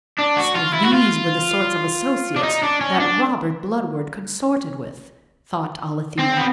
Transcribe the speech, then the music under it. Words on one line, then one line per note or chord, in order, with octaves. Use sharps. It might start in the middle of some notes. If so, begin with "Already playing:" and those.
So these were the sort of associates that Robert Bludward consorted with, thought Alethia.
D4
F#4
F4
E4
F#4
F4
D4
D#4
D4
C#4
D4
C4
B3